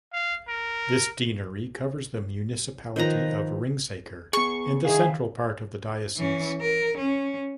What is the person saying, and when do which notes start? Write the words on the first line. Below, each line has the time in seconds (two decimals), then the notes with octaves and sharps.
This deanery covers the municipality of Ringsaker in the central part of the diocese.
0.13 F5
0.48 A#4
2.96 D#3 F3 B4 A#5
4.33 B3 G#4 C#6
4.85 D#3 D#4 E4 G#4 E5 F5
6.17 E3 C#4
6.61 A#4
6.98 C#4